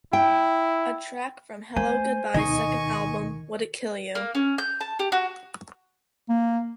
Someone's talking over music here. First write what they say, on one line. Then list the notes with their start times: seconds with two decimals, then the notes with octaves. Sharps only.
A track from Hellogoodbye's second album Would It Kill You?
0.13 E4 G5
1.76 A3 C5 G#5
2.34 D2 B2 D#3 D#4 D#5 G#5 C#6 D#6
4.15 A#3
4.35 C#4
4.58 G6
4.80 A5
4.99 G4
5.12 F#4
6.29 A#3